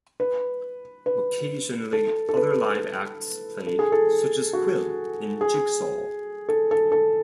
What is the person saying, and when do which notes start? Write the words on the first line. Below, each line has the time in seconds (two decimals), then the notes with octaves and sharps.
Occasionally other live acts played such as Quill and Jigsaw.
0.20 B4
1.06 B4
1.93 A4
2.29 A4
2.37 B4
3.67 A4
3.79 G#4
3.92 A4
4.53 F#4
5.41 G#4
6.49 A4
6.71 A4
6.92 A4